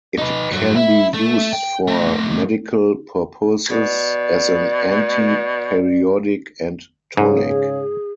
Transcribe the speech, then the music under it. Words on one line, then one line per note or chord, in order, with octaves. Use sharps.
It can be used for medical purposes as an anti-periodic and tonic.
D#4 B4
G2 F#3
E4
A3
G5
A3 C4
B2 D5
G#2 C#3 G#4